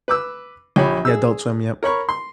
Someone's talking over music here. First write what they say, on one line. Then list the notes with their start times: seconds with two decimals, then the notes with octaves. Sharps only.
Yeah, Adult Swim, yep.
0.08 B4 D6 E6
0.76 A#1 G4 C#5 B5
1.05 G#4 E6
1.83 A#4 C#5 B5 C#6
2.09 C6